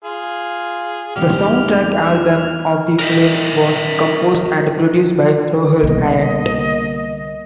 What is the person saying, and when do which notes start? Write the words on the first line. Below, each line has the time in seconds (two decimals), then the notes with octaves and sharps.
The soundtrack album of the film was composed and produced by Rohail Hyatt.
0.05 F4 G#4
1.16 E2 D#3 G3 G4 F6
2.04 E5
2.99 A#4 D#5 E5 G5
5.83 C2 B2 D3 G3 A#3 D#5